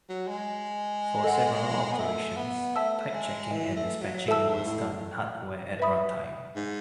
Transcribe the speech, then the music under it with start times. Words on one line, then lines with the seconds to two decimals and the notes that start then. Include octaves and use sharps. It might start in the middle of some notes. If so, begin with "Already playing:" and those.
For several operations, type checking and dispatching was done in hardware at runtime.
0.09 F#3
0.28 G#3
1.24 A4 D#5 F#5
1.92 B3
1.99 A3
2.37 B3
2.76 A3 E5 A5 E6
3.14 G#3
3.52 E3
3.76 A3
4.02 F#3
4.28 E3 A4 E5 A5 E6
4.47 G#2
4.65 A2
5.79 B4 E5 B5 D#6
6.56 G#2